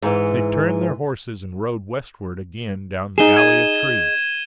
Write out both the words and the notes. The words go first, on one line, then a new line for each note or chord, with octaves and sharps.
They turned their horses and rode westward again down the alley of trees.
G#2 E3
D#4 G#4 E7 G7
G#6 D#7